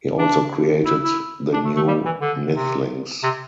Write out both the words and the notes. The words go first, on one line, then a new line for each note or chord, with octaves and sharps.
He also created the New Nithlings.
D4
E4
E4
D4
A3
A3
G3
E3
D3
C3
C3